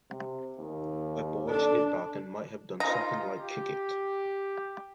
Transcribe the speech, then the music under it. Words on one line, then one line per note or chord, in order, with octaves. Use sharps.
I barged it back and might have done something like kick it.
C3
D#2
D4 A4
D#4 F4
G4